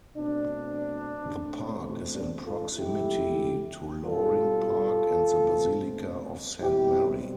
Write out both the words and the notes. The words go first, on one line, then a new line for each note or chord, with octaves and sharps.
The park is in proximity to Loring Park and the Basilica of Saint Mary.
B2 A3 C4 D4
B2 A3 C4
D4
F4 A4
C3 F3 A3 E4 G4
B2 G3 C4 F4 A4
B2 A3 C4
B2 G3 C4 E4 G4